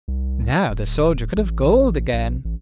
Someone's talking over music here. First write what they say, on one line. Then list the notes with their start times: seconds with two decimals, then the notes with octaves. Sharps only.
Now the soldier could have gold again.
0.08 C2
0.69 D1
1.36 A1
2.13 A#1
2.45 A1